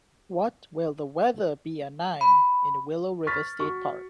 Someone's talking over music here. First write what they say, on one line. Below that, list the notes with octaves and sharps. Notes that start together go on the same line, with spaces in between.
What will the weather be a nine in Willow River State Park?
B5
C#6 F6 A6 B6
F#4 C#6